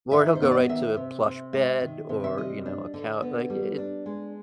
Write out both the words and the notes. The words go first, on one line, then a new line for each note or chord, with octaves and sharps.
Or he'll go right to a plush bed or, you know, a cou like, i it
D#3 E5
C5
B3 C#5
D5
D#5
D#3 E5
C3
C3
G#3 E5
D#3
C3
E5
G3 D#5
D4
D3
B3
G3
D4
G#3